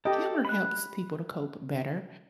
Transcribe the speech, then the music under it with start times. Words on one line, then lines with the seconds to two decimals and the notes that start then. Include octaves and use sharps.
humor helps people to cope better,
0.05 G4 A4 D#5 G5
0.45 B5 F#6